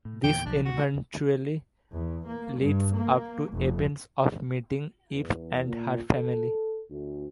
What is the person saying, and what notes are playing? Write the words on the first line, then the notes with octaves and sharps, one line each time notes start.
This eventually leads up to events of meeting Eep and her family.
A2
E2 A#2 D#3 G5
B1 E3 F3 D4
D2 F#4
E2
A#3
G2
A#3
F1
E2
A#2
A4
D2